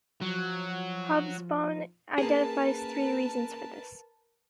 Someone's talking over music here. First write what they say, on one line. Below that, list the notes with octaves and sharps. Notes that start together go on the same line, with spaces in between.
Hobsbawm identifies three reasons for this.
F3 F#3
A#3 C#4 G#4 A#4 B4 A5